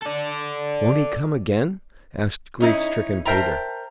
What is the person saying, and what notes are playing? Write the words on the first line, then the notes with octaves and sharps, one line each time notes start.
"Won't he come again?" asked grief-stricken Peter.
A4 D5
C#4 D#4 E4
A#4 C5 E5 G5 A5 A#5